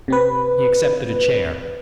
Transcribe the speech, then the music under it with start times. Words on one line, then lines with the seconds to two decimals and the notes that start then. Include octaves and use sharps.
He accepted a chair.
0.08 C3 C4 B4